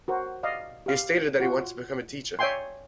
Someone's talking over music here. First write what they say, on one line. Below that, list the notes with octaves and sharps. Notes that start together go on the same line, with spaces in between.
He has stated that he wants to become a teacher.
F#4 A#4 C5
D5 D#5 F5
G4 F5
F4 F#4
C#5 D5 E5 G5 G#5 C6